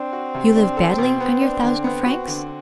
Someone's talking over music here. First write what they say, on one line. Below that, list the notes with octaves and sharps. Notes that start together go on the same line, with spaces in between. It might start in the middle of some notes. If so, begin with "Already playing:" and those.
"You live badly on your thousand francs?"
Already playing: C4 D4
F#4
C3
D4
A4
B2
B3
D4
D3
B3
F#4
D3